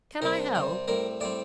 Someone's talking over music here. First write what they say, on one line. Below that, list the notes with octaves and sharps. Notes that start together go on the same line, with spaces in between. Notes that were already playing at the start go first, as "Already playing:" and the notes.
"Can I help?"
C3 G3 C4 A#4
C3 G3 C4
A2 G3 C4 A#4
A2 G3 C4 D5